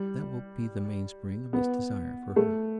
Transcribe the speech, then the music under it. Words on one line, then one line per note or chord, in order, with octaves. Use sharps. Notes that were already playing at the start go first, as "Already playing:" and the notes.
And that will be the mainspring of his desire for her.
Already playing: G3
B3
A3